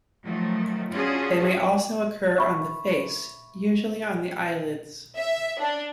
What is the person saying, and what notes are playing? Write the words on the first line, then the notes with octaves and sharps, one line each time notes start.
They may also occur on the face, usually on the eyelids.
D#3 F3 F#3 A3
C#4 D4 F4 F#4 G#4
E5 B5 C#6
E5
D4